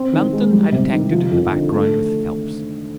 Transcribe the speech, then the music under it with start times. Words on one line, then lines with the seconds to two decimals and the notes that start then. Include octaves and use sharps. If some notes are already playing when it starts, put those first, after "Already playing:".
Manton I detected in the background with Phelps.
Already playing: C4
0.13 D#3
0.33 G#3
0.53 G3
0.72 C3
0.92 D#3
1.12 F3
1.31 F2
1.51 D3
1.71 A3